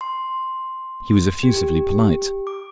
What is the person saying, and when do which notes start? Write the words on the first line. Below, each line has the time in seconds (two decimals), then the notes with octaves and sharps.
He was effusively polite.
0.01 C6
1.43 G4
2.47 D6